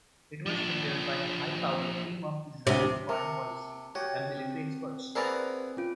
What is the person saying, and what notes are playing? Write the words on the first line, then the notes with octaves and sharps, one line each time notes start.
It was prepared by a high-powered team of Israeli foreign policy and military experts.
F3 D4
D2 C3
C3 A#4 A5 C#7
F#4 G4 C#5
C4
B3 E4 G#4 A#4 C5 D5 A#5
C#4 F4 D7